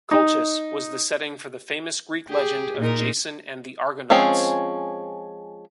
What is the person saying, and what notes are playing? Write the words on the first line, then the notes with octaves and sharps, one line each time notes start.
Colchis was the setting for the famous Greek legend of Jason and the Argonauts.
D#4
G4 G#4
A#2 D#4 A#4
F3 G#3 C4 C#4 G#4